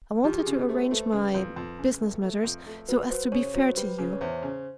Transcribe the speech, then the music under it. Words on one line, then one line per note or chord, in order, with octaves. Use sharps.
I wanted to arrange my--business matters so as to be fair to you.
F3 G4
G#4
C#3 G4
A3 C5
A3 B4
C#3
F2
F2
C#3
A3
A3
F2
A3
F#3 B4
F#3 C5
C#3 C#5
F#3 C5
G3 B4
C#3
C#5
E2 C5
C#3